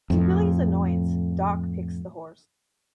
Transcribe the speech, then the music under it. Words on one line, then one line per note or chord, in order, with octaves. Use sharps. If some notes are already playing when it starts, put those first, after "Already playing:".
To Billy's annoyance, Doc picks the horse.
F2 A2